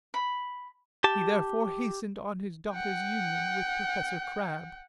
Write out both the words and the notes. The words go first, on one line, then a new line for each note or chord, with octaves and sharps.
He therefore hastened on his daughter's union with Professor Crab.
B5
G4 A5
F#5 G5